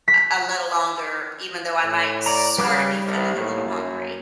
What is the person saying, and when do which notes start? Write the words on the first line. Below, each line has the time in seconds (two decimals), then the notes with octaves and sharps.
uh, a little longer even though I might sorta be feeling a little hungry.
0.08 B6
1.84 A2
2.26 D5 A#5
2.58 C#3 G3 D6 F#6
3.07 C2
3.36 A2 A#3
3.65 F#2